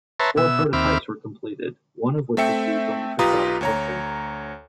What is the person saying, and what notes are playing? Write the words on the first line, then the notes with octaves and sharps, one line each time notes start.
Four prototypes were completed, one of which was used only for static testing.
B4 C#5 E5 A5 A#5 C6
B2 E5 E6
D#2 C4 E5 B5 D6 F6
A3 C4 E5 G5 C#7
B1 F4 G4 B4 A#5 D#6
D2 C#5 A#5